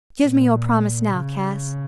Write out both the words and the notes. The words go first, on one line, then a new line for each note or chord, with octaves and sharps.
Give me your promise now, Cass.
A#2
C#3